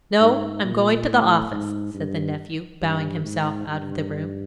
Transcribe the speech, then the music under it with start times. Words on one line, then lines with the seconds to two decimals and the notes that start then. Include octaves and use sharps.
"No; I'm going to the office," said the nephew, bowing himself out of the room.
0.20 G#2
0.64 A#2
1.07 A2
1.51 G#2
1.94 G2
2.81 G2
3.24 G#2
3.68 G2